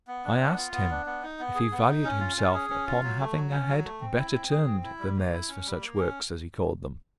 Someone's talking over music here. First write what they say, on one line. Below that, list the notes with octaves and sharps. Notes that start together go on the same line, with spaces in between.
I asked him, If he valued himself upon having a head better turned than theirs for such works, as he called them?
B3
D4
B3
F4
B3
D4
B3
D#4
B3
G#4
B3
D#4
C#4
F4
C#4
G#4
C#4
F4
F#3
A3
F#3
C#4
F#3
A3
C4
E4
C4
G#4
C4
E4
G3
A#3
E4
C#4
G3
A#3
C#4